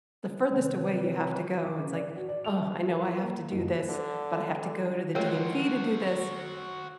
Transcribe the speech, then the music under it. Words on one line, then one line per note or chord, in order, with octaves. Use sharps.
the furthest away you have to go, it's like, "Ugh, I know I have to do this, but I have to go to the DMV to do this,
C3 D#3 C4 B4 C#5
D6
C#3
D5
F#4
D5
F7
E5
A#4
F3
A#3
F#1
D3
D3
G#3 F4 F#4 A#4 C5 C#5 G5